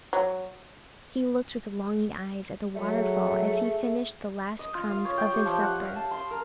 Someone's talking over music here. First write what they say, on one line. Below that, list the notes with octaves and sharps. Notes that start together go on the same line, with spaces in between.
He looked with longing eyes at the waterfall as he finished the last crumbs of his supper.
F#3
F#3 A3 G#4
D#5
F4
F5
C#5
G5
G4
F3
F#5
F5
A5
C6
A#4